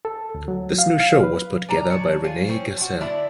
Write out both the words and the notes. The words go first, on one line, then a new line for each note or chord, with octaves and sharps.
This new show was put together by Rene Gasser.
A4
D2
F#3
F5
F5
B4
D4 G#5 A#5
D4 C#5 A5
F4 G#4
C4 C#4
F3 F#4
D3 D4 E4 D5